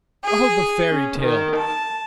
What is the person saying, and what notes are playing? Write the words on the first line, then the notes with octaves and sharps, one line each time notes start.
"Oh, the fairy tale!"
G#4
C#4
D#3
A5